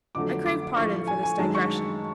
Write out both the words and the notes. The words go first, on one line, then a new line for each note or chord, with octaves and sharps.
I crave pardon for this digression.
F2 D3 F#3 A3 D6
D6
A2 F3 A3 C#6
G#5
G#5
F#2 D#3 G#3 A5
C#6